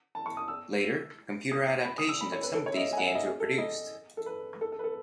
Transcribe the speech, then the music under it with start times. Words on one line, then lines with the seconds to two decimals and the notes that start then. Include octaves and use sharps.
Later, computer adaptations of some of these games were produced.
0.15 A5
0.26 C#6
0.37 D#6
0.48 E6
1.52 D#6
1.85 B5
1.98 D#6
2.09 E6
2.21 B5
2.32 C#5
2.43 B4
2.55 A4
2.66 C#5
2.73 E5
2.77 D#5
2.93 G#5
2.98 F#5
3.07 E5
3.15 D#5
3.23 G#4
3.40 A4
3.58 D#5
4.17 A4
4.26 B4
4.61 A4
4.72 A4
4.79 B4
4.84 A4